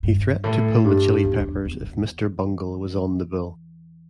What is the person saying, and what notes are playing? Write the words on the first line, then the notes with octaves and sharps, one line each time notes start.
He threatened to pull the Chili Peppers if Mr. Bungle was on the bill.
G2
A2
G2
E2
E2
E2
E2